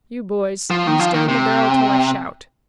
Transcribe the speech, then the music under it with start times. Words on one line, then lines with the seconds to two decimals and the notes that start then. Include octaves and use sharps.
You, boys, ease down the barrel till I shout.
0.70 F3
0.87 D#3
0.99 F3
1.14 D#3
1.28 C3